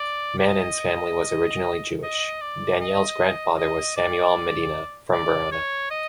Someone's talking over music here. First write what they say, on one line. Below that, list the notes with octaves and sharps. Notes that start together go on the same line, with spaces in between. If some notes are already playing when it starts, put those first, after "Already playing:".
Manin's family was originally Jewish: Daniele's grandfather was Samuele Medina, from Verona.
Already playing: D5
D5
D#5
D#5
D#5
D5
D#5
D#5
D5
D5
C#5
D#5